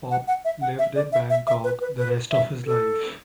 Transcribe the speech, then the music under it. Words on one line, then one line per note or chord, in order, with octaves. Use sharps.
Pop lived in Bangkok the rest of his life.
F#5
F#5
E5
F#5
E5
D5
E5
E5
E5
B4
B4
B4
E5
A4